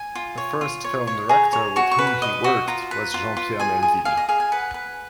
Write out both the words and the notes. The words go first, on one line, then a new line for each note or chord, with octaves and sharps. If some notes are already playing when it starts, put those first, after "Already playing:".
The first film director with whom he worked was Jean-Pierre Melville.
Already playing: G#5
F4
C#5
F4
C#5
C#5
G#4 A#5
C#5
F#4 C#6
C#6
B4
B5
D#5
F#4
F4 A#5
B4
F4
F4
G#4 G#5
G#4
G#4 F5
D#5
G#4 F5
G#5
B4 F#5
B4